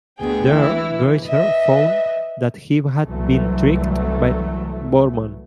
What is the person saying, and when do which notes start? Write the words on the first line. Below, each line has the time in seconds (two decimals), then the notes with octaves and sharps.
There Greiser found that he had been tricked by Bormann.
0.18 D2 B3 G#4 G5
0.49 E3 E4
1.26 B4 D#5 E5
3.06 C2 E3 F#3 A3